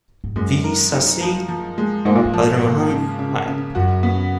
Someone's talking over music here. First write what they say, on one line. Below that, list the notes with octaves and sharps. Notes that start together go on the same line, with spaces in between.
V. Sasi, Padmarajan-I.
G#2
F#2 G#3
A#4
D#4
F3
F3
G#3
G#2 A#3
A#2
G#2
F3
A#3
C#3
C#3
C#3
F#2 F#4
B3